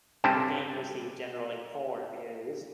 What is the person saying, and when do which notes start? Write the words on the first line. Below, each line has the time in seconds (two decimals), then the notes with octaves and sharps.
The game received generally poor reviews.
0.24 G2 C3 G5 A5